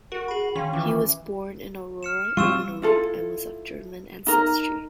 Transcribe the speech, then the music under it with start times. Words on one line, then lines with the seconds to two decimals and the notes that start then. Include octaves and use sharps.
He was born in Aurora, Illinois, and was of German ancestry.
0.12 F#4 A#4
0.28 G#4 B5
0.56 D#3 C#4 F5 C6
0.73 E3 C#4 F4 D6
2.03 F6 C#7 E7
2.37 G3 C4 F4 C#6 E6 E7
2.82 E4 F4 A4
4.27 D#4 A#4